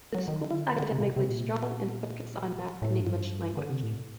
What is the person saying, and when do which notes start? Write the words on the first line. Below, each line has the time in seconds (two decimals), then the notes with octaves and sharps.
The school is academically strong and focus on math and English language.
0.15 F#3
0.28 D#3
0.41 D3
0.80 D3
0.91 C3
1.00 A#2
1.04 C3
1.16 C3
1.29 A#2
2.82 A2
3.01 G2
3.57 D3
3.70 C3
3.83 A2